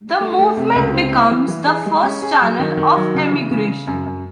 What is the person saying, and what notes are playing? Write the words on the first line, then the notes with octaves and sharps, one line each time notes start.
The movement becomes the first channel of emigration.
A3
A3
C3
C#2
C4
E4
E3
E3
G#4
G#3
C#4
G#4
F#3
D#3
D#3
F#3
C#3
E3
C#3
C#3
F#2
F#2